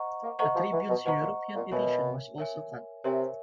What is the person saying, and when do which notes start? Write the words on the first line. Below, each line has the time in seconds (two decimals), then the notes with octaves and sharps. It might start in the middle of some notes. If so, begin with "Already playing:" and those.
The Tribune's European edition was also cut.
Already playing: C5 D#5 F#5 A#5 C#6
0.23 A#3
0.39 A3 C5 D#5 F#5 A#5 C#6
0.55 F3
0.72 E3
0.89 B2
1.05 B2 C5 D#5 F#5 A#5 C#6
1.22 A#2
1.55 A#2
1.72 B2 A#4 C#5 E5 G#5
2.38 A#4 C#5 E5 G#5
3.04 C3 A#4 C#5 E5 G#5